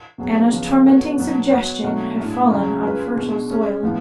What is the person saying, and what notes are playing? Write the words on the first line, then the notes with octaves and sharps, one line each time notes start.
Anna's tormenting suggestion had fallen on fertile soil.
B2 F#3 B3 D4 G#4
C#3 F3 B3
B3 D4 F#4 A4 C#5
B2 F#3 B3 D4 F#4
B3 F#4 C#5
B2 F#3 A3 D4 F#4
A2 G#3 D4 G#4
C#3 F#3 C#4
G#3 C#4 F4 B4
B2 G#3 D4
G#3 C#4 G#4
A2 F3 B3